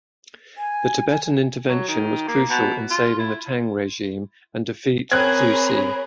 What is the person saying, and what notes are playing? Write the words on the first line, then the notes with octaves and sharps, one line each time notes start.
The Tibetan intervention was crucial in saving the Tang regime and defeat Zhu Ci.
G#5
F#3
D#3
A#3
B2
F4
E4
C4 G#4 A#4 C5 C#5 B5 F#6 G#6